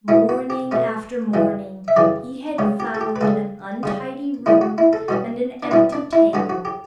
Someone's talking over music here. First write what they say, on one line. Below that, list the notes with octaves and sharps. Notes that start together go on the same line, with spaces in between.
Morning after morning he had found an untidy room and an empty table.
B2 A3 C#4 E4
F#4
G4
B2 A3 C#4
F#2 C#3 E3 G3
E5
F#2 C#3 E3 G3 D5
C#2 C#3 G3 C#5
G4
A4
G4
B4
C#2 C#3 G3 A4
C#3 G3 C#4
C#3 G3 C#4 E4
F#4
E4
A4
B2 G3 C#4 F#4
D4
B2 G3 C#4 E4
D4
E4
G2 D3 F#3 C#4 F#4
F#4
G4